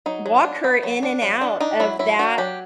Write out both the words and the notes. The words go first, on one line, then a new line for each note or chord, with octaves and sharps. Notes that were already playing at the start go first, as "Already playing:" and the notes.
walk her in and out of that
F#3 D#4
F#3
D4
B3
F#3
D4
F#3
D4
D4 D#4
F#3 E4
F#3 E4
D4 F#4
F#3 G4